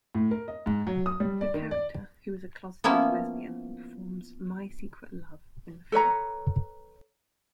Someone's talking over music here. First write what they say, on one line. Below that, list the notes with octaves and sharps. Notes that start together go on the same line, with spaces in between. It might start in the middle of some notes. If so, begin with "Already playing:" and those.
The character, who is a closeted lesbian, performs "My Secret Love" in the film.
A2
A#4
D#5
G#2
F#3
D#6
G3
D5
D#3
D5
F3 A#3 B3 C#4 E4
A4 B4 C#5 A#5